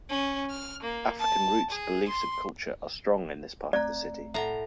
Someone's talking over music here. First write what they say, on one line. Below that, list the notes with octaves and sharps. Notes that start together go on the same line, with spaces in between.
African roots, beliefs, and culture are strong in this part of the city.
C#4
F6
A#3
A5
G#4
C6
A3 C4 D5 A#5
A2 E5 F#5 A#5